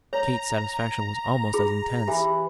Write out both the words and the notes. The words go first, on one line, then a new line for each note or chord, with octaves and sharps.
Kate's satisfaction was almost as intense.
C#5 A#5
F4 G#4 B5
E3 G4